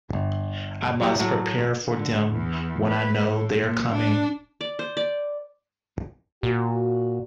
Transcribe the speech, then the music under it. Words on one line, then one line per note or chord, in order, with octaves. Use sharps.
I must prepare for them when I know they are coming.
G1
F#3 G3 E4 F#4 G4
A2 F#3 A3
D3
E2
B4
A2
A#2
D4
D5
C5
D5
A#2 F#4